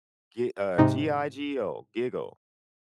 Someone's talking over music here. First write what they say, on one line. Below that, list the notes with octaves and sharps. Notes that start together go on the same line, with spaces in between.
g uh, G-I-G-O, GIGO.
G#2 C3 D#4